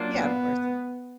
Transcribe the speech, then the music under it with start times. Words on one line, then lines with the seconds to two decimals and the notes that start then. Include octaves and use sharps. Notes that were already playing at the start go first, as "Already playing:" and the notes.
Yeah, of course.
Already playing: F#3 A#3 D4 F4
0.16 B3